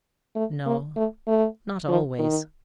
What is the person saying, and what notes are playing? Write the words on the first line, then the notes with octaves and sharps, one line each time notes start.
"No, not always."
A3
A#3
A3
A3
F3
D#3